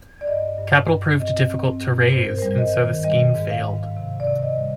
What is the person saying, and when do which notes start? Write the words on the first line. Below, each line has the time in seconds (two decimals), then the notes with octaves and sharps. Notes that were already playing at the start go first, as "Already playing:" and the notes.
Capital proved difficult to raise and so the scheme failed.
0.21 D5
0.27 G2 D#5
0.58 G2
0.89 G2
1.19 C4 D#5
1.51 C4
1.81 G2
2.12 G#2 C5
2.26 A#4
2.38 G3 C5
2.58 D#5
2.74 D#3
3.04 G3 D#5
3.35 G#2
3.50 F5
3.66 G#2
3.97 C3
4.20 D5
4.27 C3
4.43 D#5
4.58 G3